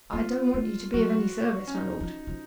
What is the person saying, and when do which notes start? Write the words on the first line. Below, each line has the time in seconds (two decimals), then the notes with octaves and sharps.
"I don't want you to be of any service, my Lord."
0.13 A#3 F4
0.54 A3
0.94 F#3 F#4
1.68 C#4
1.75 D#4
2.01 F3
2.27 F3